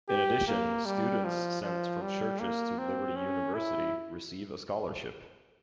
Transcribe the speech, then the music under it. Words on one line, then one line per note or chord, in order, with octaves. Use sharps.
In addition, students sent from churches to Liberty University receive a scholarship.
G4
A#3
G3
F3
F3
G3
A#3
C4
C#4
E4